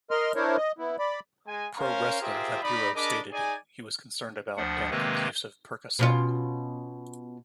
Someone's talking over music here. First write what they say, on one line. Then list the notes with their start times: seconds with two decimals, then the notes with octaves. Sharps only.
Pro wrestler Vampiro stated he was concerned about Duncum's use of percocet.
0.11 A#4 D#5 C6 F6
0.35 D4 E4 A#4 C5 C#5
0.57 D#5
0.79 B3 E4
0.99 D5 B5
1.46 G#3 G#5
1.78 C#4 A#4 C5 F5
2.20 F4 G4 G#4 A#4 C5 E5
2.62 D#4 D5 D#5 B5
2.95 D4 G#4 A#4 D#5 B5 D6
3.32 D#4 G#4 D5 G#5
4.57 D2 F3 D4 F#5
4.91 C3 D#3 G#3 A#3 C4 B4
5.99 B2 C#4 F4